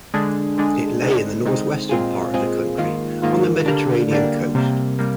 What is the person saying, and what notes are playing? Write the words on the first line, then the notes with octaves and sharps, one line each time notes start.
It lay in the northwestern part of the country, on the Mediterranean coast.
D3 G#3 D4 G#4
D3 G#3 D4 G#4
D3 G#3 C4 D#4
D3 G#3 C4 D#4
A#2 G#3 C4 F4 G#4
A#2 G#3 C4 F4 G#4
G#2 D#3 A#3 F4
G#2 D#3 A#3 F4
D3 G3 A#3 D4
D3 G3 A#3 D4
C3 G3 A#3
C3 G3 A#3